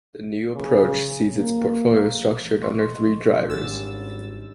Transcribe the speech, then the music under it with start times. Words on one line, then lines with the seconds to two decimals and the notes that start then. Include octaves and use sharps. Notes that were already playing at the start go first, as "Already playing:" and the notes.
The new approach sees its portfolio structured under three drivers.
0.55 C#3
1.35 A#3
2.62 D#5 C6 C#6
3.49 G#1 D3 G3 C#4 E6 A6